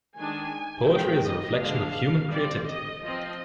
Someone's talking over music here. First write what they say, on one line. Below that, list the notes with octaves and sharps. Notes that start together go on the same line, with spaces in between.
Poetry is a reflection of human creativity.
D#3 G#3 D4 G#5
D#3 G#3 C4 G5
D#5
D3 G#3 D4 F5
G3 C4 D5
D#5
F3 C4 D#5